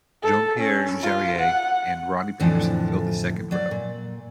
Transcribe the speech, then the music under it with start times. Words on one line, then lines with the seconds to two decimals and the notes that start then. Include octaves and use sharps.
Jean-Pierre Jarier and Ronnie Peterson filled the second row.
0.22 A4
0.59 C#4
1.03 F4
1.39 F#5
2.40 F2 A2 D3 E3 F3 D4
3.51 F#3 D5
3.71 A#2